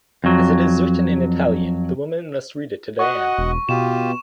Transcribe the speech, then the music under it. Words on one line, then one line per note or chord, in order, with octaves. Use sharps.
As it is written in Italian the woman must read it to Diane.
F2 F#3
F#4 D#5 F#5 C#6
E1
B2 F4 G4 E7